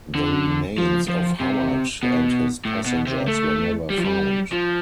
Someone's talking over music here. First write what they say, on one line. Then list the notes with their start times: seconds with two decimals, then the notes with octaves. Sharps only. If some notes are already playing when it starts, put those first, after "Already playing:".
The remains of Howard and his passengers were never found.
0.15 D3
0.78 F3
1.08 F3
1.40 C3
2.03 B2
2.65 A2
2.86 B2
3.07 C3
3.28 A3
3.90 G3
3.98 F3
4.05 G3
4.53 F3